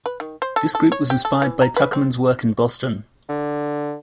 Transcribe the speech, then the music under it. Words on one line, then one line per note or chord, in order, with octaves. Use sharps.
This group was inspired by Tuckerman's work in Boston.
B4
D#3
C5
A4
A4
C#5
G4
A4
E3
A#5
B4
C4
D3